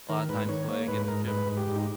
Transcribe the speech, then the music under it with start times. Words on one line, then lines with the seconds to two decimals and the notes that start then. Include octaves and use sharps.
A lotta times when I didn't get in the gym.
0.09 D#3 A#4
0.29 G#2 B4
0.49 D#3 C#5
0.68 A#3 C#5
0.88 G#2 B4
1.08 G#2 A#4
1.27 G#2 B4
1.47 G#2
1.57 G4
1.67 G#2
1.76 D#4